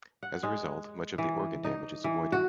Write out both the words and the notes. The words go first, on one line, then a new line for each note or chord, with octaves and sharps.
As a result, much of the organ damage is avoided.
F#5
G#3
E3
D#4
E3
F#4